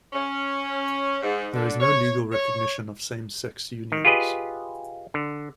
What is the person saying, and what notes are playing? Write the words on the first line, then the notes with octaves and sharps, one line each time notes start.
There is no legal recognition of same-sex unions.
C#4
G#2
D3
C#5
C#5
D#3
F4 G4 G#4 B4 D#5
D3